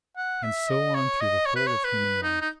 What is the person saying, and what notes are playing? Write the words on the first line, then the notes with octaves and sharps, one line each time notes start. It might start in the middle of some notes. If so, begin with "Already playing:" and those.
And so on through the whole of human life.
F#5
E5
D#5
C#5
D#5
C#5
B4
C#5
B4
D#4
D#4